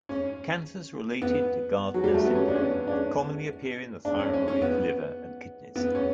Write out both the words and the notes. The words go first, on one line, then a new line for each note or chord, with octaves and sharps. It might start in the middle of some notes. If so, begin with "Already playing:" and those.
Cancers related to Gardner syndrome commonly appear in the thyroid, liver and kidneys.
C#4
B3
F#3
G3
A3
B3
C#4
D4
C#4
B3
D4
C#4
D4
C#4
C#4
C#4
B3
B3
C#4